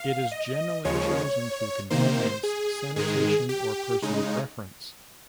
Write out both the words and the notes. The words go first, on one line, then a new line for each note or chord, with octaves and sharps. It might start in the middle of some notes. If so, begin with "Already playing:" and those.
It is generally chosen through convenience, sanitation, or personal preference.
Already playing: F5
D#5
D#2 C#3 F3 G#3 C#5
C3 D#3 A#3 C5
G#4
G#2 D#3 G#3 G#4
G4
C#3 G#3 D#4